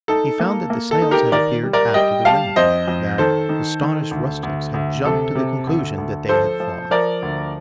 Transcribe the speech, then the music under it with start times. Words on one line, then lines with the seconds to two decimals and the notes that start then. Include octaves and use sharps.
He found that the snails had appeared after the rain: that "astonished rustics had jumped to the conclusion that they had fallen."
0.08 D#4 A4
0.40 A#3
0.70 A#3
0.91 A4
1.02 D#4
1.11 G4 A#4
1.32 D#3 A#4 D5
1.63 G3
1.73 A#4 D5
1.94 G3 D#5 G5
2.25 G3 F5 A5
2.56 F2 C5 D#5
2.88 F2
3.18 D#3 A4 C5
3.49 D#3
3.81 D#3
4.11 D2
4.43 D2
4.74 D2
5.05 C3 A4
5.35 C3
5.67 D2
5.98 D2
6.29 F3 A4 C5
6.60 F3
6.91 F3 A#4 D5
7.22 D2